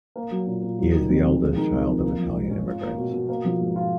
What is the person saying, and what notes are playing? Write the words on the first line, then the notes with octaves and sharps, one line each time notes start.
He is the eldest child of Italian immigrants.
A#3
F#3
A#2
A#2
F#3
D#3
F2
F2
G#3
D#3
F2
F2
A#3
F3
G#2
C#4
F4
A#3
B2
B2
A#3
F3
G#2
F4